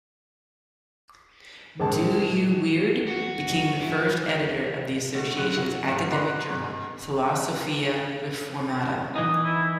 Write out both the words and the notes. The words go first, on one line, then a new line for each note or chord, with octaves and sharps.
Dooyeweerd became the first editor of the Association's academic journal "Philosophia Reformata".
A#1 G#3 A5
F#4
E3
B2 A3
F#2 F#5
F#4
G2 D3
B4 D5 D#5 F#5 A#5 C6
G2
E3 D#4 D#6
E4